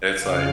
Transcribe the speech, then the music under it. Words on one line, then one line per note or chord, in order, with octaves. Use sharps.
It's, like,
F2 C#3 F5